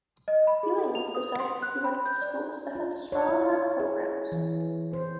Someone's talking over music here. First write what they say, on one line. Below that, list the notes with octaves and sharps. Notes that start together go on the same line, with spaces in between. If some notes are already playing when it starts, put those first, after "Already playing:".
Ewing also said he went to schools that had strong art programs.
D#5
B5
G#4
A4
F7
D#6
C6
F#6
B5
G6
D5
F4
C#5
E4
G#4
E3
C5